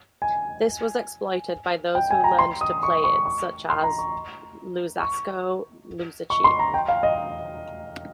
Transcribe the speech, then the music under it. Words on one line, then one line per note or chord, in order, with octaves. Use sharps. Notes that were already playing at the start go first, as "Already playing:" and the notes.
This was exploited by those who learned to play it, such as Luzzasco Luzzaschi.
G#5
G5
G#5
A#5
C6
D#6
C#6
C#6
C#6
C6
A#5
C#6
C#6
C#6
C6
A#5
G5
F5
D#5